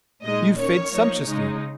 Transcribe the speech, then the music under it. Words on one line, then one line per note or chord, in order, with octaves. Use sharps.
You fed sumptuously.
A#2 G#3 D#4 D#5
D#3 C#4 C#5
F3 A#3 D#4
C#3 G#3 D#4